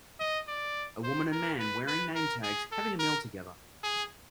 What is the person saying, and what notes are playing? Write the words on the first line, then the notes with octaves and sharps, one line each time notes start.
A woman and man, wearing name tags, having a meal together.
D#5
D5
C5
A#4
B4
B4
A#4
G#4
A4
A#4
G#4